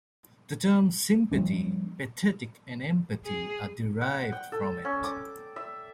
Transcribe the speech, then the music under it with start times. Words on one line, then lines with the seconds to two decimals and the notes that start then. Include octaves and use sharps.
The terms "sympathy", "pathetic", and "empathy" are derived from it.
1.32 F3 G3 B3 D4
3.25 G#4
4.01 F#5
4.32 G5
4.52 A4
4.85 C#4
5.04 D6
5.56 E5